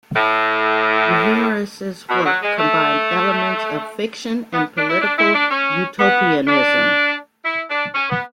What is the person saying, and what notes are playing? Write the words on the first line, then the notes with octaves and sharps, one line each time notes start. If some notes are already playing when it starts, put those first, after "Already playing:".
Euhemerus's work combined elements of fiction and political utopianism.
A2
B2
F#3
G#3
A3
B3
D4
E4
D4
E4
D4
C#4
B3
D4
E4
D4
C#4
B3